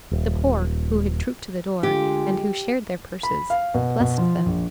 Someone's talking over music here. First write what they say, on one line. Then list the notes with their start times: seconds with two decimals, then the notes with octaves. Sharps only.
The poor, who had trooped to the door, and who shared their purses, blessed them.
0.11 D#1
1.83 D3 G#3 F4 G4
3.23 B5
3.50 F5
3.74 B2
4.00 B2
4.18 F3
4.46 A#1